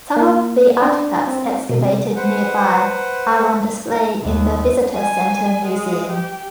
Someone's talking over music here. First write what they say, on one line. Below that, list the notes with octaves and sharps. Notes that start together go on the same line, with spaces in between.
Some of the artifacts excavated nearby are on display in the visitor center museum.
A#3
D4
C4
B2
C3
B4 C5 F#5
D#2
G#5
G#3
G4